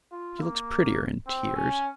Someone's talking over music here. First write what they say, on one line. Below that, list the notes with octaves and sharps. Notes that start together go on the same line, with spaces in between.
She looks prettier in tears.'
F4
A#3
C4
C#4